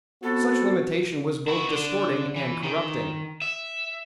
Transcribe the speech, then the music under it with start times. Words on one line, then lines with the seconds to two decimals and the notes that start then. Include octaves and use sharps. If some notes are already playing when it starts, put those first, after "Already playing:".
Such limitation was both distorting and corrupting.
0.23 B3 C4 F#4 A4
1.48 E4 F#4
1.69 D3
2.36 E3
2.63 D#3
3.42 E5